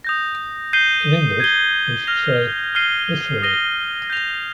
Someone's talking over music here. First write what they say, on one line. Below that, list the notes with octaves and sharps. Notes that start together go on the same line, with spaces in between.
In English, we should say 'literally'.
D#6 G6 A#6
G6 C7 D#7 G7
G#6 D#7 G7
F6 A#6 F7
F6 C7 D#7 G7
D#6 A#6 D#7 G7
G6 A#6 F7